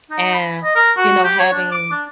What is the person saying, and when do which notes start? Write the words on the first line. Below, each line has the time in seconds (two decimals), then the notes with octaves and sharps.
and, you know, having,
0.11 D#4
0.34 B5
0.64 D#5
0.75 A#4
0.97 F#4
1.24 G4
1.39 C#5
1.53 D4
1.72 D6
1.91 D4